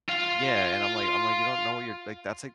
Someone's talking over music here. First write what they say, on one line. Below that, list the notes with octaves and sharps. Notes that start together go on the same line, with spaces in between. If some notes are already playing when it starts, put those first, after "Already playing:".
Yeah, and I'm like I'm like, "You don't know what you're" like, that's, like
F4 F5